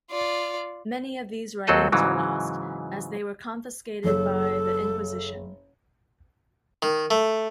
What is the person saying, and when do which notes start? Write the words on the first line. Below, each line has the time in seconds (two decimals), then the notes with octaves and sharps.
Many of these writings are lost, as they were confiscated by the Inquisition.
0.11 F4 D5
1.67 D#2 F#3 C4 A4 D#5 F#5
1.92 G#2 C#3 E3 F#3
4.04 F#1 A4 C#5
6.82 D#3
7.11 A3